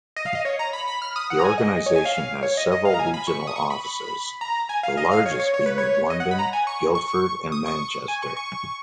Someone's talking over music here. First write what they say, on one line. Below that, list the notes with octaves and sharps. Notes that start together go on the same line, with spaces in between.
The organisation has several regional offices, the largest being in London, Guildford and Manchester.
D#5
F5
D#5
C#5
A#5
B5
B5
F6
D#6
F#5
A#5
G#5
D#5
C#5
G#5
F5
C#5
D#5
D#5
F5
A#5
G#5
B5
C#6
D#6
C#6
B5
B5
A#5
G#5
F5
D#5
F5
C#5
C#5
C#5
B4
C#5
D#5
F#5
B5
A#5
G#5
C#6
C#6
D#6
C#6
G#5
C#6
C#6